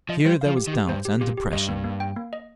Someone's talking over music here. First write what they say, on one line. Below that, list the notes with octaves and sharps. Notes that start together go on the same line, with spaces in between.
Here there was doubt and depression.
F3 D#5
G3 C5
F3 F5
G4
D#3
G4
G2 C5
G4
A#2 G4
G4
G2 D#5
A#3
A#3
G5
A#3
D#5